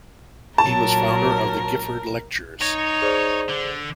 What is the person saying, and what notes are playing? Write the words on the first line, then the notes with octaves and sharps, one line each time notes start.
He was founder of the Gifford Lectures.
A#2 F#3 A#4 A5
D#4 C#5 A#6
G#4 C5 D5
D3